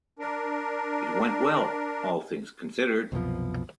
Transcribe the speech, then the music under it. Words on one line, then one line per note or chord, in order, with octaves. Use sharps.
It went well, all things considered.
D4 A#4
C2 F#2 B2 F3